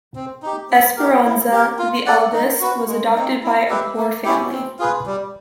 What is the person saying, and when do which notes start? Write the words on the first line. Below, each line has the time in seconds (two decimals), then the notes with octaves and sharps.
Esperanza, the eldest, was adopted by a poor family.
0.16 C4
0.42 D#4 G4
0.70 C4
0.97 D#4 G4 A#4
1.25 E4
1.52 G4 A#4
1.79 F4
2.06 A4 D5 F#5
2.33 D#4
2.61 F#4 B4
2.88 G#3
3.15 C4 D#4
3.43 E4
3.69 G4 B4 E5
3.97 A#3
4.24 C#4 E4 G4
4.52 C4
4.79 F4 G#4 B4
5.06 G3